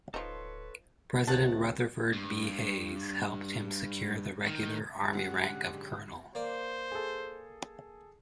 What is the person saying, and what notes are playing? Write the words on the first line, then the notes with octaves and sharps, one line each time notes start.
President Rutherford B. Hayes helped him secure the regular army rank of colonel.
D1 F3 D#4 A4 B4 C#5 C6
C#2 C3 D#3 F#5 A5
G2
D#3
G#2 D3 F#3 G#3 C#4 G4 F#5
A#3 C5 D5
G#4 A4